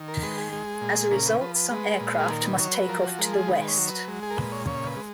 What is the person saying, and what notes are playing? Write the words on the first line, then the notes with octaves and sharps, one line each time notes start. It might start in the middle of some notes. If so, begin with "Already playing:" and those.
As a result, some aircraft must take off to the west.
Already playing: D#3
A#4
G#3 B4
G#4
G#3
A#2
C#3 A#4
B4
F3 B4
B4
G#3 B4
A#2
G#4
D#3 A#4
B4
F#3 C#5
B4
F3 A#4
F#4
G#3 A#4
G#4
D#3 B4
B4
C#5
F#3
B4
G#3
G#4
A#4
A#2 B4
C#5
C#3 C#5
B4
G#3